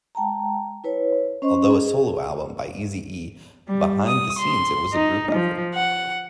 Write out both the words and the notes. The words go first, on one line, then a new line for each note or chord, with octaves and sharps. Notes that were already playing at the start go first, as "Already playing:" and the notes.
Although a solo album by Eazy-E, behind the scenes it was a group effort.
G#3 G5 A5 A#5
E4 B4 C#5
C#4 C5 D#5 C6 C#6
G#4
G3
D#6
C6
D#4
F3
F#5